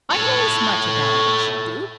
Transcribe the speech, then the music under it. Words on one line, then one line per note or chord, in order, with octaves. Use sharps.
"I know as much about it as you do!"
A4 C#5